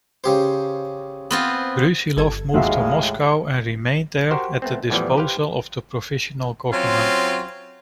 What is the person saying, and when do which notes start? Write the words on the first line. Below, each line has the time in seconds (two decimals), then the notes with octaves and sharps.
Brusilov moved to Moscow and remained there at the disposal of the Provisional Government.
0.24 C#3 G4 C5
1.31 B3 C4 F4
2.17 G1 A4 G#6
2.54 D#2 A2 G#3 A3 F#4 G#4 E5 F5
4.31 F#4 G4 A#4 C5
4.62 A3 B3 C4
4.90 E2 A2 E3 F3 G3
5.17 G4 B4 C5 F5 G5
6.72 F#3 C4 C#4 F4